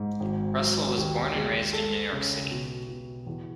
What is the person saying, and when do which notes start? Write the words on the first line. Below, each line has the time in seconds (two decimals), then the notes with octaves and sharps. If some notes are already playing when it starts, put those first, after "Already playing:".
Russell was born and raised in New York City.
Already playing: G#2
0.20 G#1
0.59 F#3
0.97 D#2
1.35 G#3
1.73 A4
2.13 C#3
2.50 B2
2.89 B2
3.27 E2